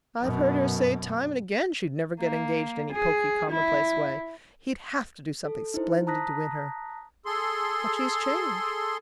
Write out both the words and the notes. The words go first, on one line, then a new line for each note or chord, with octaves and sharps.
I've heard her say time and again she'd never get engaged any poky commonplace way . . . he'd HAVE to do something splendid to win her. But she has changed.
F#2 B2
A#3
G#4
E4
A4
D#4 E4 C5
A5 A#5 D#6 F#6 A#6 B6
G#4 A4 C6